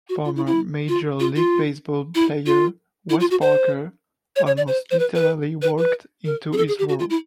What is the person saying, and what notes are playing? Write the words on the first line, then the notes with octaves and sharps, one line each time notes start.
Former Major League Baseball player Wes Parker almost literally walked into his role.
F#4
F4
E4
E4
F4
F4
F4
E4
F4
E4
F4
F#4
C5
C#5
C#5
D5
C5
C5
B4
B4
B4
B4
A#4
G#4
A4
G#4
G4
F#4
F4
E4